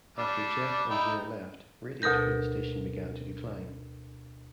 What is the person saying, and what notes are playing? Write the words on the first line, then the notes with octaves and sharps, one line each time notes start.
After Jeff and Jer left, ratings for the station began to decline.
G3 D4
D#4 E4 G5
D2 B2 A4 A#4 G6